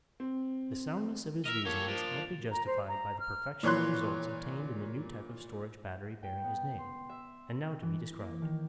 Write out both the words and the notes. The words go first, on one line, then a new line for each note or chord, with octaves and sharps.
The soundness of his reasoning is amply justified by the perfection of results obtained in the new type of storage battery bearing his name, and now to be described.
C4
A#4 D#5 E5 F7
A#3 G4 A4 C#5
F3 D4
A#5
C5
A#5
F6
A#2 E3 C#5 C6 F#6
G5
B3
C6
E5
E3
A#3
D#3